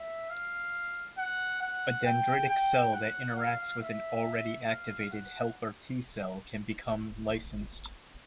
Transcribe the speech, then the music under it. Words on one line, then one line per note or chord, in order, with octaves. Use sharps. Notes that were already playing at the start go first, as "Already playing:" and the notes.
A dendritic cell that interacts with an already-activated helper T cell can become licensed.
Already playing: E5
F5
F#5
F#5
G5
G5
F#5
F5
E5
F5
F#5